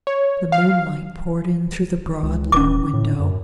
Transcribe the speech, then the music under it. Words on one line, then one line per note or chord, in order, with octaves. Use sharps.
The moonlight poured in through the broad, low window.
C#5
F5
C#2
D#1 C#4 D6
A2
F#2